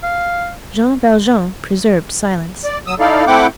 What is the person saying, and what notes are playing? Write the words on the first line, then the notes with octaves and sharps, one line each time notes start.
Jean Valjean preserved silence.
F5
D5
F#3 D#6 E6
D#4 E4 A4 D5 F5
A3 C4 E4 F#5 G5 D6